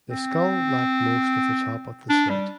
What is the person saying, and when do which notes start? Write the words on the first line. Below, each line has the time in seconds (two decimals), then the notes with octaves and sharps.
The skull lacked most of the top of the snout.
0.10 C4
2.10 D4
2.30 G3